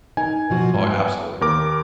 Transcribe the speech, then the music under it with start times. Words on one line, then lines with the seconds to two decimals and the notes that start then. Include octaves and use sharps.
Oh, absolutely.
0.17 D#4 A#4 G#5
0.50 B2 F3 F#4
0.74 G#2
0.91 B3
1.41 D#2 A#4 D6